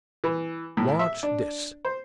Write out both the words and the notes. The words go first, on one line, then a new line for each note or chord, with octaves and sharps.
Watch this.
E3
A2
E5
D4
C5